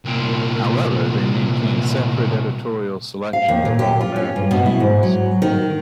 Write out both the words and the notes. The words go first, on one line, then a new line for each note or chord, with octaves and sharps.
However, they maintain separate editorial selections of All-America teams.
C2 A#2
F5
D#2
A#2
G4
F4
C#4
G2
B2
E4
G#2
F#3
D#3